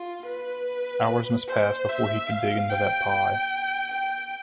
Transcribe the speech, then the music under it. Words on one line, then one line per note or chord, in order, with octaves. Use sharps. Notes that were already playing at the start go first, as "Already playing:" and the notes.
Hours must pass before he could dig into that pie.
Already playing: F4
B4
C5
E5
F5
G5
G5
G5